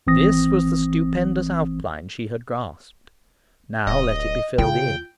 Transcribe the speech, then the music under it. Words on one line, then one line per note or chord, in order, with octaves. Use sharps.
This was the stupendous outline she had grasped: now let it be filled in.
G#1 E3 C4 D#6 A#6
D1 D#5
C#3 F4 G5